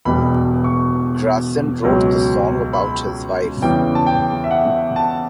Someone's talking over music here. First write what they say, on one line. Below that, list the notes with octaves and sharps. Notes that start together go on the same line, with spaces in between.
Gracin wrote the song about his wife.
E1 E2 B2 G3 B5
C#6
C#2 B2 F#3
B5
E2 C#3 E3 G3 G5
A5
G5
E5
F#5
A5